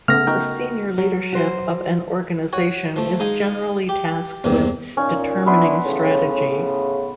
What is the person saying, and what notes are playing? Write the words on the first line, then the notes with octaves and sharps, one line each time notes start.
The senior leadership of an organization is generally tasked with determining strategy.
C#3 A3 B3 F6 A#6
D#4 F#4 A#4 G5
F#3
F#4 C5
F#4 C#5 G#5
F3 A3
G#3 D#4 F5 G#5
G4
E2 G2 C3 A#3
A#2 C#4 D#4
B3 D4 E4 B4 C6
A2 C#3